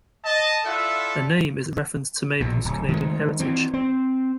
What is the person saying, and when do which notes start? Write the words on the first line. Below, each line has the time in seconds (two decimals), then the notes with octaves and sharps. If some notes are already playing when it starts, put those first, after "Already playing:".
The name is a reference to Maple's Canadian heritage.
0.24 D#5 A5
0.65 E4 F4 A4 D5 E5 F#5
2.40 A#1 B2
2.65 D1
2.89 D#3 G#3 A3
3.39 E3 C4
3.74 C4